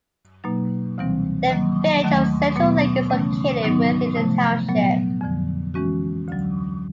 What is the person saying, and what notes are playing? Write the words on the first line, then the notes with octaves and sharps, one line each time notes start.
The village of Central Lake is located within the township.
B2 F#3 A#3 D#4
D2 C3 E3 G3 C4
D#3 F#3 A#3
D#2 D#3 F#3 A3
B2 F#3 B3
C#3 E3 A3 C#4
G#2 D#3 F#3 B3 D#4
C3 F3 A3
A#2 F#3 B3
F2 D3 F3
E3 G#3 C#4 F#4
D2 D3 F#3